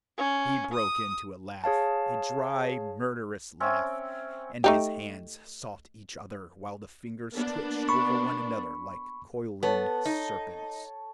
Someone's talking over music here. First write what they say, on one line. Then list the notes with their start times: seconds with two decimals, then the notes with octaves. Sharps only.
He broke into a laugh, a dry, murderous laugh, and his hands sought each other while the fingers twitched over one another like coiling serpents.
0.18 C#4
0.73 D#6
1.64 G#4 C#5 F5 A5
3.60 C4 C#4 E5 G5
4.64 A3 D#4 G4
7.31 A#3 B3 D4
7.89 B5 C#6
9.63 B3 A4 C#5
10.06 D#4